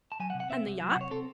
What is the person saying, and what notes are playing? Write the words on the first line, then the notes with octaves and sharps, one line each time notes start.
"And the yacht."
A5
F#3 G#5
F#5
C3
F#5
C4 E5
C2
F#3
F#5
C3
C#5
C4 A4